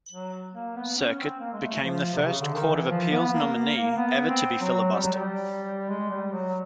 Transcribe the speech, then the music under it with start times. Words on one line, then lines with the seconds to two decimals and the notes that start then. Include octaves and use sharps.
Circuit, became the first court of appeals nominee ever to be filibustered.
0.12 F#3
0.55 A#3
0.76 B3
0.98 C#4
1.19 C4
1.40 A#3
1.53 G#3
1.62 A3
1.83 F3
2.14 C3
2.27 C#3
2.41 D3
2.55 D#3
2.69 E3
2.90 F3
3.11 B3
3.33 A#3
3.54 A#3
3.76 A#3
3.91 A#3
3.97 B3
4.29 C4
4.61 F#3
4.93 G3
5.03 F#3
5.13 G3
5.89 G#3
6.10 G3
6.32 F#3